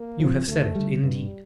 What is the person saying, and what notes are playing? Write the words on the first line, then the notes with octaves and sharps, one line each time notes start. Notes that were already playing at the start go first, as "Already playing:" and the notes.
You have said it, indeed.
Already playing: A#3
F3 C4
D2 A3
D3 G3
G2 G3